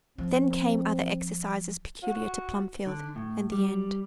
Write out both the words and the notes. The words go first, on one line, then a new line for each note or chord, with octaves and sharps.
Then came other exercises peculiar to Plumfield, and the end.
F3 C4
F#4
D3
A2
G3